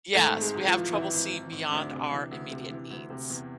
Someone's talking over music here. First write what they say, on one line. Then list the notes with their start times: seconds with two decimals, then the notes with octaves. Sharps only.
Yes, we have trouble seeing beyond our immediate needs.
0.15 G#2 A3 A4
0.34 G#1
0.41 G#3 G#4
0.54 G#1
0.67 F3 F4
0.74 E3
0.93 G#1 E3 E4
1.13 G#1
1.33 E3
1.52 G#1
1.72 D2 D4
1.92 C3
2.12 E3
2.31 D2
2.51 C3
2.70 E3
2.90 D2
3.10 C3
3.30 E2